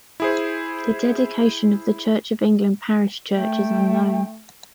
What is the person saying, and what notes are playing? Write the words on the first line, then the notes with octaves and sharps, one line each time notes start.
The dedication of the Church of England parish church is unknown.
E4 G#4 C5
A3 G5